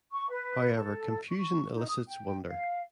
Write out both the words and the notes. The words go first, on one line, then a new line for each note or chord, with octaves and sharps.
However confusion elicits wonder.
C#6
B4
A4
C#6
D#4
D#6
G5
F5